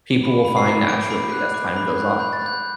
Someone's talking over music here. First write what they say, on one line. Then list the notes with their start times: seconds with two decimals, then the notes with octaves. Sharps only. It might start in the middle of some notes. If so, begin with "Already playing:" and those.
people will find naturally as time goes on.
0.23 B5
0.45 B5
0.57 C7
0.68 D6
0.89 D6 D7
1.10 B5
1.32 F#6
1.54 D6
1.76 B5
1.98 F#6
2.19 B5 G6
2.33 A6
2.42 F#6 G6